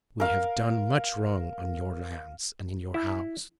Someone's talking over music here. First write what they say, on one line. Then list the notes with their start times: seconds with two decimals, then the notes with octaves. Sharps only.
We have done much wrong on your lands and in your house.
0.20 A#4 F5
2.94 E4